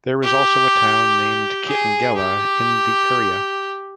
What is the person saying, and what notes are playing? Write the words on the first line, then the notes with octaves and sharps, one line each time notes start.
There is also a town named Kitengela in the area.
G4
G#4
G4